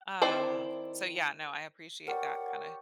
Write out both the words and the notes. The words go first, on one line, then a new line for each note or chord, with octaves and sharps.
Um, so yeah, no, I appreciate that kinda
D#3 C4 E4 C5 D5
G4 A#4 C#5 D5 F#5